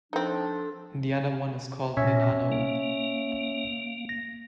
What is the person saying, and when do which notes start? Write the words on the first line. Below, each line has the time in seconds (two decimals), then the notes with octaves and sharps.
The other one is called nenano.
0.13 F3 C4 D4 D#4 A4
1.97 A#2 C#4 C#5 E5
2.52 A#3
4.09 A#6